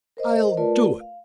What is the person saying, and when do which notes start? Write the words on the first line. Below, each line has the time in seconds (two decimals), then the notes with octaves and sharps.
I'll do it....
0.17 A#4 C5 D#5
0.57 A3 F4 A#4 B4 D5 A5
1.00 F5